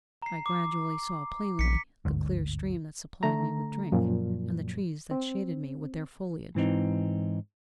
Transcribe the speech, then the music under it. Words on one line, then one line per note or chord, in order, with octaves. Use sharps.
I gradually saw plainly the clear stream that supplied me with drink and the trees that shaded me with their foliage.
A#5 C7
D6
A#1 B6 C#7
G1 D2 G#2
D3 A3 A#5
F#2 A#2 F3 F#3
C4
G#2 E3 C4 D#4